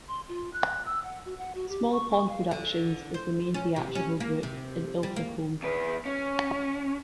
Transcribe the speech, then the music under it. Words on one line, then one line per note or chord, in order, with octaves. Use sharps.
Small Pond Productions is the main theatrical group in Ilfracombe.
C6
F4
F#6
E6
F#5
F#4
F#5
F#4
G4
C#6
C#6
F5
D3
C5
C#4
C3
C#4
A#3
C3
G3
A#3
E2 B4
C#4